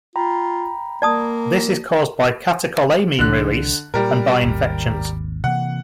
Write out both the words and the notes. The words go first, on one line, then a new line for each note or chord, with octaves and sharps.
This is caused by catecholamine release and by infections.
F4 G5 A#5 B5
A#3 D5 A5 D#6
C2 D3 E3 F#6
A#2 G3 A#4
G#1 D#2
C3 E3 A#3 F#5